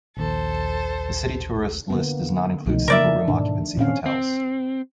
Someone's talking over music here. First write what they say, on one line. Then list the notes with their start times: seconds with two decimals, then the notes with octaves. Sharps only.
The city tourist list does not include single room occupancy hotels.
0.17 A#1 D#2 A4 C5
1.90 D3 A#3 B3
2.66 C2 B2 F3 A3 D#4
2.88 C#3 G#3 A#3 A#4 D5 E5
3.28 G#2 B2 D#3 D4
3.77 A#2 D#3 C4 C#4 F5
4.06 C4